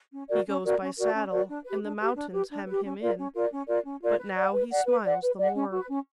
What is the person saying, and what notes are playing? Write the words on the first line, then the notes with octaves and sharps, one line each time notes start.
He goes by saddle, and the mountains hem him in, but now he smiles the more.
C#4
F#4 A#4 D5
C#4
F#4 A#4 D5
C#4
F#4 A#4 D5
C#4
F#4 A#4 D5
D4
G4 B4
D4
G4 B4
D4
G4 B4
D4
G4 B4
C#4
F4 A#4 D5
C#4
F4 A#4 D5
C#4
F4 A#4 D5
C#4
F4 A#4 D5
B4
D5 F#5
B4
D5 F#5
B4
D5 F#5
B4
D5 F#5
C#4
F#4 B4
C#4